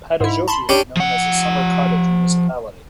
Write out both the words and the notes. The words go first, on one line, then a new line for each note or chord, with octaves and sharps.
Padasjoki is known as a summer cottage municipality.
G#2 E4
A5 B5 C6
C#4 D4 G4
F3 F#5